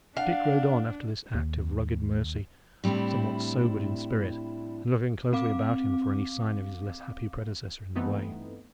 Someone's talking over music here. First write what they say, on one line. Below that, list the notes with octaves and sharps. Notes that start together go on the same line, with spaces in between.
Dick rode on after this act of rugged mercy, somewhat sobered in spirit, and looking closely about him for any sign of his less happy predecessor in the way.
D4 F5 F#5
D#2
A2 G3 C4 D4 E4
C4 F5 D6
G2 E3 A3 B3 C4 D#4